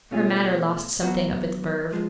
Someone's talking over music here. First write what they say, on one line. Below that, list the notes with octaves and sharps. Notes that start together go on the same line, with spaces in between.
Her manner lost something of its verve.
B2 A3 C#4 F4 G#4
F#3 B3 F#4
F3 G#3